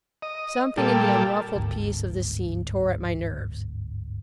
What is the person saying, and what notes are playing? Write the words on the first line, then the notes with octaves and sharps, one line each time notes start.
Something in the unruffled peace of the scene tore at my nerves.
D#5
A#2 G3 A4
G1 D2 G#2